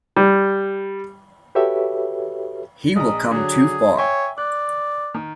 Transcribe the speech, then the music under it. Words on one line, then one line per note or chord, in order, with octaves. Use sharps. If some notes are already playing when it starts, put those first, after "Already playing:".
He will come too far.
G3
F#4 G4 A4 B4 C#5 E5
A#1 D#5 A#5
D3 F#3 G#4
C#5 E5 G5 G#5
D5 F#6
D#3